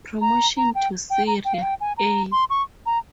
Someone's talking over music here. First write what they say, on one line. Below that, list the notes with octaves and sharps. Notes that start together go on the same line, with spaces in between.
Promotion to Seria A.
A#5
A#5
G5
G5
A#5
G5
F5
G5
G#5
A#5
C6
C#6
A#5